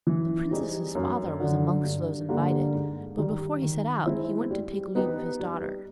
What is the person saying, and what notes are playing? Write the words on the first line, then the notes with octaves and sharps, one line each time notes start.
The princess's father was amongst those invited, but before he set out he went to take leave of his daughter.
E3
G3 C4 D#4 G#4
F#2
D3 F#3
G2
D3 G3 A#3
G#2
D#3 G3
D#3
G#3 C4 E4
G3
B3 D#4 G4 B4
G3